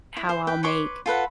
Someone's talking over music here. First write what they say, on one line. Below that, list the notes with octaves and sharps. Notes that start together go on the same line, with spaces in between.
how I'll make
E4
C5
B4 G5
B4 C#5 C6 D6
F4 A4 B4 F#5